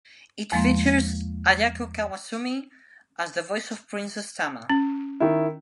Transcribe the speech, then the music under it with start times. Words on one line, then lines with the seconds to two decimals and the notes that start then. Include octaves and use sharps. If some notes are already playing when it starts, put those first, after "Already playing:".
It features Ayako Kawasumi as the voice of Princess Tama.
0.52 E2 F3 G#3 A#3 C6
4.70 C#4
5.20 D#3 E4